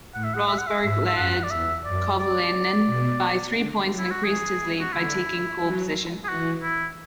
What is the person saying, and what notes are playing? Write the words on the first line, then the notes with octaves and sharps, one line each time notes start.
Rosberg led Kovalainen by three points and increased his lead by taking pole position.
A2 F#5
E5
F#5
E5
F#5
E5
G#2 E5
E5
F#2 F#5
D5
E2 E5
F#2 D5
D5
B2
D3
F#3
E4
F#4
E3 G#4
E3
F#4
D3 E4
F#3
G#4
E3 F#4
E4